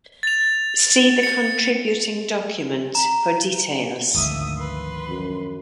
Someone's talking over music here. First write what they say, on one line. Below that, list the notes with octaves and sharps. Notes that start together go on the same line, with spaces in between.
See the contributing document for details.
A6 F7
C#7
A#5
G#1 D2 D#3 F3 D4 E5 D#6
B4 C6
F#2